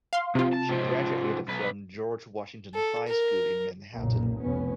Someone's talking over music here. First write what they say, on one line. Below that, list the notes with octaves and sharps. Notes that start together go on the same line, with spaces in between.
She graduated from George Washington High School in Manhattan.
F5 C6
C3 F3 F4
A5
G#2 F3
B1 B4
A4
A#4
F#1 B1 A#2 A#3
F1 B3 C#4